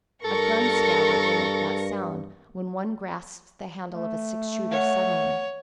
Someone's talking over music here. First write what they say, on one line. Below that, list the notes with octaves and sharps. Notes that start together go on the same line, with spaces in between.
A gun- scabbard will make that sound when one grasps the handle of a six- shooter suddenly.
G2 A4 A#4 C#6 A#6
A3
C#5 F5 F#5